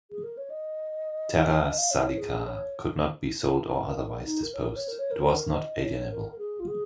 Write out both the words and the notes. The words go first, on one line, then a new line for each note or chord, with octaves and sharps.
"Terra salica" could not be sold or otherwise disposed; it was not alienable.
G#4
A#4
C#5
D#5
F5
D#5
F5
C#5
G#4
C#5
A#4
A#4
D#4
A#4
C#5
A#4
C#5
A#4
C#5
A#4
C#5
A#4
D#5
C#5
A#4
A#4
G#4
F4
G#4